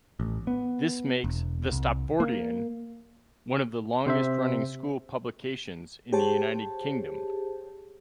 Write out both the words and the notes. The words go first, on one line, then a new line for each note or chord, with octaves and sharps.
This makes "The Stopfordian" one of the longest-running school publications in the United Kingdom.
A1
B3
E1
C2
A#3
C3 C5 E5
G4 G#4 C5 C#5 A5